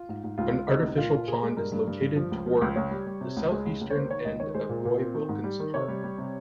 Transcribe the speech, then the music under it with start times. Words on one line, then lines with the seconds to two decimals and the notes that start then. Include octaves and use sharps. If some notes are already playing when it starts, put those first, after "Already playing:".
An artificial pond is located toward the southeastern end of Roy Wilkins Park.
Already playing: F4
0.09 G#2
0.24 G#2
0.38 C#2 F4
0.53 C#2
0.68 C3 D#4
0.83 C#2
0.98 A#2 F4
1.13 A#2
1.28 A#2 G#4
1.43 G#3
1.57 G2 A#4
1.72 G2
1.88 G2
2.02 G2
2.16 F3
2.31 C#2
2.46 F3
2.62 C#2
2.76 C#2 C#5
2.91 G3
3.06 G3
3.21 C3
3.36 C#2
3.51 G#3
3.66 C#2
3.81 C#2
3.91 C#5
3.95 A#3 C5
4.10 D#3 C#5
4.25 C#2 D#5
4.40 D#3 C#5
4.54 G#3 C5
4.69 A#2
4.85 A#2
5.00 C4
5.14 D#3
5.29 G#2
5.44 G3
5.59 D#3
5.74 C3 C#5
5.88 G3
6.04 G3
6.18 C3